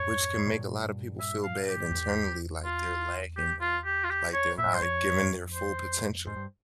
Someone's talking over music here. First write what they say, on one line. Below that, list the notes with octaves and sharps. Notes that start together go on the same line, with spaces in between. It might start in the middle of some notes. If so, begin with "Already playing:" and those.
which can make a lotta people feel bad internally, like they're lacking or like, they're not giving their full potential.
Already playing: F2 G#2 C#5
G2 A#2
E5
F5
G4
E2
F4
G4
F4
G4
F4
G4
C#5
A#2 E5
G#2
G2 C5
F2 C#5
C5
G#2 C5
G2